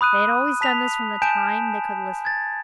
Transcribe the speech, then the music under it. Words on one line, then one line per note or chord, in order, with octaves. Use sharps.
They had always done this from the time they could lisp...
B5 D#6 F#6 D#7
A5 B6 F7
G#5 A5 G6 D7 E7
G#6 A6